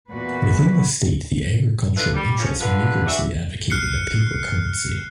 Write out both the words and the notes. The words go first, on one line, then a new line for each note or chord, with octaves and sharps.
Within the state the agricultural interests vigorously advocated a paper currency.
E2 A#2 F#4 B4
D4 E4 F4 A4 B4
G3 G4
F3 C#4
D3 F4 B4
E3 D4 F#4 E5
F6 F#6 C7 C#7